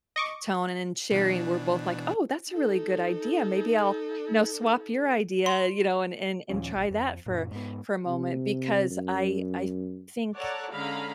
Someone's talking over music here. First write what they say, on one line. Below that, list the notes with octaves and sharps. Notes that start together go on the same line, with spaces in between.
tone, and in sharing, we're both like, "Oh, that's a really good idea, maybe I'll, you know, swap your idea, you know, and and and try that for for a moment," because I I think
D#5 C#6 D6
B2 E3 D4
D#4 A4
C6
D#2 A#2 F3 C#4
A#1
F2
F#2 A#2
G#2 B3
C3
F#2
A4 C#5 D5 F#5 A5 A#5
D3 G#3 C#4 F5 A#5 B5